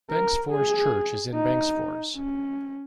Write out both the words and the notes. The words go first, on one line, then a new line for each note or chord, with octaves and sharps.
Bengtsfors Church is in Bengtsfors.
A#4
G#4
D#4
C#4